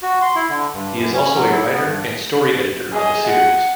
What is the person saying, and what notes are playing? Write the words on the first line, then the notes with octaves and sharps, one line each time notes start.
He is also a writer and story editor on the series.
F#4
C6
E4
D3
G2
F#2
C#4
F#3
E4
B3
G2
G#4 D#5
F#5